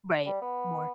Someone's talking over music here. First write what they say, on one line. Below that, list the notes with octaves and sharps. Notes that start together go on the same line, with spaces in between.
Right. More.
G3
B3